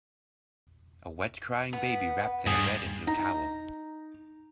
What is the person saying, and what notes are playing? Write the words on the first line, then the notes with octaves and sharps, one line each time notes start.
A wet crying baby wrapped in a red and blue towel.
B3
G2 G#4
D#4 A#5